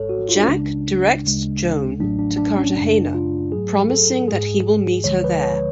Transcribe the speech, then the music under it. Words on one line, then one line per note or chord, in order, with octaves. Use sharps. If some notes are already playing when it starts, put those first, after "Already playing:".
Jack directs Joan to Cartagena, promising that he will meet her there.
Already playing: G#1 G#2 G#3 A4 C#5
F#4
F4
D4
C#4
C#2 C#3 G#3 D4
D2 C#3 G#3
A1 A2 F#3 A3 D4
D4
D4
C#4
F#2 C#3 G#3 D4
F4
G#2 F#3 A3 G#4
A4
G#2 G#3 G#4
D2 D3 F3 G#3 C#5
B4
C#5